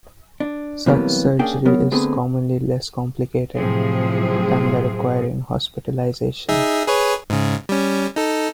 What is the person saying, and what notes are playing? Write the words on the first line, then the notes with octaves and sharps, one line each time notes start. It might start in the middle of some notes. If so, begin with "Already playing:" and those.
Such surgery is commonly less complicated than that requiring hospitalization.
D4
C3 E3 F#3 G3 A#3 B3
A#3 C#4 D4 G#4 A#4 G5
F#3 B3 A#4
D3 A3 B3 C4 G#4 B4
A2 C3 F3 F#3 C4 G#4
D#4 G#4 E5
G#4 B4 C#5
G#2 C#3
G3 C#4
D#4 A4